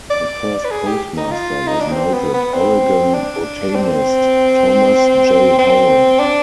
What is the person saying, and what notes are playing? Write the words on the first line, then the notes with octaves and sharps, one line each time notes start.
The first postmaster was noted Oregon botanist Thomas J. Howell.
D5
B4
G#4
G4
D#4
F4
D#4
D4
C4
B3
B3
C4
D4
C4
C4
D4